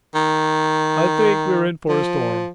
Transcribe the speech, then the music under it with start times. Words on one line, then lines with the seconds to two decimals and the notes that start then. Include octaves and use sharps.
"I think we're in for a storm."
0.15 D#3
1.89 F3